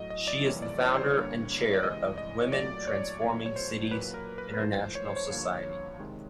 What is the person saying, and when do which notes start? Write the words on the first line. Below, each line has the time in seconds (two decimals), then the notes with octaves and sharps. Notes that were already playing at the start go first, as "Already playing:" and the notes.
She is the founder and chair of Women Transforming Cities International Society.
Already playing: A2 F#3 A3 D#5
0.10 D#5
0.28 D5
0.44 F2 C3 E3 G3 A#3 C#5
0.62 D5
0.79 C#5
0.97 C5
1.13 G2 D3 G3 A#3 C#5
1.73 D5
1.83 C3 E3 G#3 D#5
2.18 D#5
2.41 C#5
2.52 A#2 F#3 A3 D5
2.87 C#5
3.22 E2 B2 F#3 A3 C#5
3.46 C#5
3.56 C5
3.91 A#2 F#3 A#3 B4
4.14 A#4
4.38 B4
4.53 B4
4.60 G#2 F3 A3 C5
4.95 C#5
5.05 C5
5.16 C#5
5.30 G2 D3 F3 A#3
5.99 C3 D#3 G#3